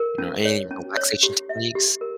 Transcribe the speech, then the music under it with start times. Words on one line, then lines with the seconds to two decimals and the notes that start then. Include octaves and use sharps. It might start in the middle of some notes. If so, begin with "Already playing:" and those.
You know, any relaxation techniques?
Already playing: A#4
0.18 C#4
0.45 C#5
0.71 C#4
0.97 C#5
1.23 G4
1.49 E5
1.75 G4
2.01 A#4